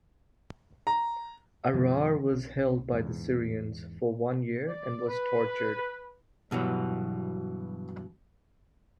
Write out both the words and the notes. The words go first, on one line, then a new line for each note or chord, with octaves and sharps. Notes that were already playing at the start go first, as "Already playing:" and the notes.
Arar was held by the Syrians for one year and was tortured.
A#5
F#2 D3 F3 G#3
B1
E2 G#2
D5
B4
G2 B2 E3 F#3